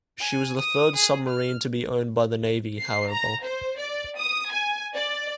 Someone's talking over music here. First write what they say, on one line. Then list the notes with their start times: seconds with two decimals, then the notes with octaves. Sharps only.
She was the third submarine to be owned by the Navy, however.
0.19 G#5
0.57 D#6
0.96 G#4
1.29 F6
2.81 C7
3.11 A#5
3.44 C5
3.79 D5
4.19 D#6
4.52 G#5
4.95 D5